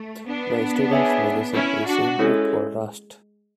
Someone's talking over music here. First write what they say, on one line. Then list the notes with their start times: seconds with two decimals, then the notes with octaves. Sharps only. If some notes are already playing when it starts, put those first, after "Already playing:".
The students' magazine is simply called "Rust".
Already playing: A3
0.27 B3 D4
0.91 G#4 C#5 E5 G#5
1.54 C#4 E4
1.87 D4 F#4
2.19 G#3 C#4 E4 A4 C#5